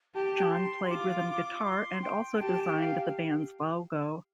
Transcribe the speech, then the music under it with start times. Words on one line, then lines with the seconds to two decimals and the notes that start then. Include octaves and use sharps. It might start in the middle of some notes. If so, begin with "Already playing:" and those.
Jon played rhythm guitar and also designed the band's logo.
0.15 G4 A5
0.52 C6
0.90 F4 D6
1.65 C6
2.03 G5
2.40 G4 A5
2.60 G5
2.78 F5